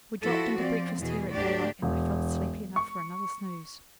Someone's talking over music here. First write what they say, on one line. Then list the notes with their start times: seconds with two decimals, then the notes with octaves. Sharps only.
We dropped in to breakfast here at daylight, and I felt sleepy enough for another snooze.'
0.23 F3 E4 F#4 A4
0.56 F3 C4 D5
0.99 E2 B2 E3 G#4
1.31 D2 G#2 D4 F#4 G4 D5
1.82 E1
2.76 C#6